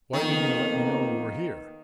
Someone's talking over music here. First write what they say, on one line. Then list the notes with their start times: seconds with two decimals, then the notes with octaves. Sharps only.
Why didn't you let me know you were here?
0.13 F2 D#3 A#3 B3